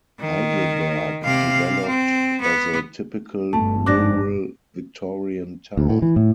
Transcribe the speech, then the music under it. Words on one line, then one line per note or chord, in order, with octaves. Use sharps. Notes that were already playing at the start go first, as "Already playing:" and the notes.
Heidelberg developed as a typical rural Victorian town.
D#3
C3 F5
C4
B3
G1 G2 B2 A3 A5
F2 G#2 D4 D6 F#6 A#6
D2
A2
E3
A2